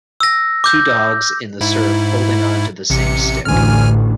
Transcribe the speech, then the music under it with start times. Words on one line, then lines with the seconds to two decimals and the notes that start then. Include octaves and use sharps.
Two dogs in the surf holding on to the same stick.
0.20 E6 A#6
0.64 D6 G6
1.61 G#2 E4
2.90 A1 C3 C#7
3.45 A1 D2 G#5 F6